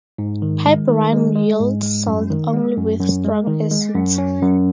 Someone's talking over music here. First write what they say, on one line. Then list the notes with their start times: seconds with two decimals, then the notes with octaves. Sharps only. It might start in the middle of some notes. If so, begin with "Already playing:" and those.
Piperine yields salts only with strong acids.
0.18 G#2
0.42 D#3
0.66 G#3
0.89 D#3
1.13 G#3
1.36 G#3
1.60 G#2
1.83 G#3
2.07 F#2
2.30 D#3
2.54 G#3
2.77 F#2
3.00 F#2
3.25 G#3
3.47 D#3
3.71 G#3
3.95 F#2
4.18 C#4
4.42 F#2